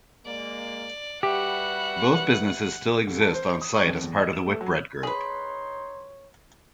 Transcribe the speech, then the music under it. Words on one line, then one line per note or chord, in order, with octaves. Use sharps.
Both businesses still exist on site as part of the Whitbread group.
G#3 A#3 D5
G3 F#4 G4 B4 E5 F#5
F1
A5
C5
D#6
C#6
F2
E2
D#5
E7
A3
F#3
D#4 G#4 B4 C#5 C6